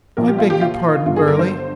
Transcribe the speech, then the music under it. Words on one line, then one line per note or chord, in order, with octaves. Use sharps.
"I beg your pardon, Burly!"
A#1 A#2 F3 A#4
G4
F4
G4
F4
G1 G2 D3 F4
G#4
A#4
C5